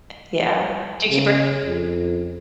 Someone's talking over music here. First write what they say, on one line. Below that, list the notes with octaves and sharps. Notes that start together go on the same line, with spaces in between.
Yeah. Do you keep her hair
C#3
F2